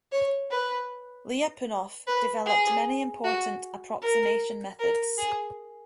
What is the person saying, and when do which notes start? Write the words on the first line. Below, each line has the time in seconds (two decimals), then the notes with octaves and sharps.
Lyapunov developed many important approximation methods.
0.12 C#5
0.51 B4
2.07 B4
2.46 G#4
3.24 F#4
4.01 A#4
4.79 A#4
5.18 G#4